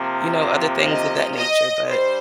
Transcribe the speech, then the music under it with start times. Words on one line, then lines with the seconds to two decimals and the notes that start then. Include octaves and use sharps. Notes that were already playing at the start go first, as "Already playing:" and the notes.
you know, other things of that nature, but
Already playing: C3 F3 A#3
0.87 D#5
1.37 D#5
1.89 G3 D4 C5